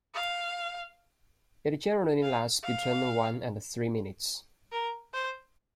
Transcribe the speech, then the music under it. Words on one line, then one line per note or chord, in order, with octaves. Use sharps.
It generally lasts between one and three minutes.
F5
F5
F5
A#4
C5